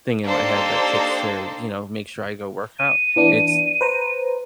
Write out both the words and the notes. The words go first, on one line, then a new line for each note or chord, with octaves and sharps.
thing in my head that takes to, you know, make sure I go workout, it's
A#3 D4 D#4 G4 A4 C5
D#7
E3 B3 D4
B4 C5 A#5